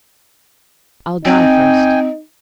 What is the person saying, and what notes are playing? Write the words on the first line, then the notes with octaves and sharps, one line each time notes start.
"I'll die first."
C4 D#4 G5 G#5